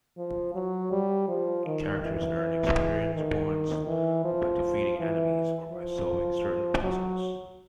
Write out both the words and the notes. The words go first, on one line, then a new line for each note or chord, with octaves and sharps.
Characters earn experience points by defeating enemies or by solving certain puzzles.
F3
F#3
G3
F3
D#3
E3
D#3
E3
F3
E3
F3
F#3